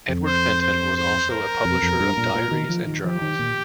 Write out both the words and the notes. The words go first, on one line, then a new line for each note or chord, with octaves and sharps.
Edward Fenton was also a publisher of diaries and journals.
F2
C5
C5
C5
A#4
F2
F2
G2
A#2
A#2
D#3
F3
D#3
F3 G4
D#3
A#2